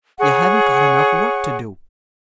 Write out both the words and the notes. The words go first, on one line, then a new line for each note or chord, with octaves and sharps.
You haven't got enough work to do.
G#4 C#5 F#5 C#6